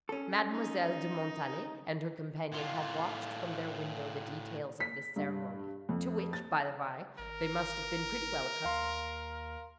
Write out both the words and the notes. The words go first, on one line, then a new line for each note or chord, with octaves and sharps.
Mademoiselle de Montalais and her companion had watched from their window the details of this ceremony, to which, by the bye, they must have been pretty well accustomed.
C#4 A4
D#4
A2 F4
B6
G2
F2
A6
G#1 A#4
D#2 F5 C6